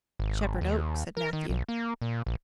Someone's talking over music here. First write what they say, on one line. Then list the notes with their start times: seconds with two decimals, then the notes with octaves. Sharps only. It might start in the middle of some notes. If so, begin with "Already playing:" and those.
"Shepherd Oak," said Matthew.
0.19 G#1
0.61 D#2
1.17 A#4
1.33 D#3
1.49 B1
1.69 A#3
2.02 A#2
2.26 A#1